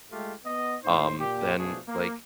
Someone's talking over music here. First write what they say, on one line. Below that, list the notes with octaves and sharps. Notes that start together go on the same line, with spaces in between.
um, then, like
G#3 A3 F4 G4
B3 D#5
A2 D#4 C5
A#2 G4
B2 F3 A3 D4 G#4
A#3